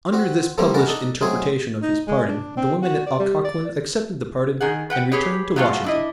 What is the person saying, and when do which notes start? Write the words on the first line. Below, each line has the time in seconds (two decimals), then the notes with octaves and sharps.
Under this published interpretation of his pardon the women at Occoquan accepted the pardon and returned to Washington.
0.13 C4 F#4
0.58 D3 F3 G3 A3 A#3 C4
0.74 E3 F#4 A4 A#4
0.88 D4 D#4 A4
1.21 F#3 G#3 A3 C4 G#4 C#5
1.82 D#4
2.07 G#3
2.27 D4
2.57 C4
2.82 F#4
3.06 D5
3.19 G3
3.44 D5
4.60 D#3 G#4 F#5
4.90 B4 F#5 G5
5.12 G4 G#4 B4 C#5
5.56 F#3 G#3 A3 F4 F#4
5.84 D4 E4 D#5